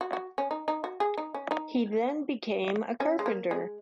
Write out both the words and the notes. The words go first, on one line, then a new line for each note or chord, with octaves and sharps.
He then became a carpenter.
F#4
F#4
C#4
D#4
D#4
F#4
G#4
D#4
C#4
D#4
C#4
G#3
A#3
G#3